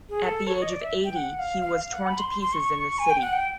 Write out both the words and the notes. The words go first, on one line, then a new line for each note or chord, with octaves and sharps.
At the age of eighty, he was torn to pieces in the City.
G#4
A4
C#5
D#5
D5
E5
G5
F#5
F5
F5
F5
F#5
B5
C6
C6
C6
C#6
G#5
G5
F#5
G5